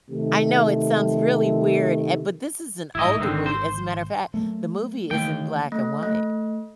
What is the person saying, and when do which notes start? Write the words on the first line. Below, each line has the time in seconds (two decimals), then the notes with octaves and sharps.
I know it sounds really weird, a but this is an older movie. As a matter of fact, the movie is in black and white.
0.11 C3 D#3 A3
2.95 A1 G#2 E4 D#5
3.20 G#1 D3 D#3 C4
3.46 C5
4.34 F#3 A3 A#3
5.11 D#2 E3 A3 G5
5.72 A3
6.03 A3